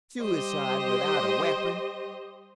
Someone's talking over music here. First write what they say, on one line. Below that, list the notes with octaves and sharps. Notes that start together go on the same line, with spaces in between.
Suicide without a weapon!
G3 G4 C5 D#5